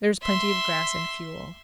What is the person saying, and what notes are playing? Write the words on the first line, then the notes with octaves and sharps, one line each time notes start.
There is plenty of grass and fuel.
E5 C6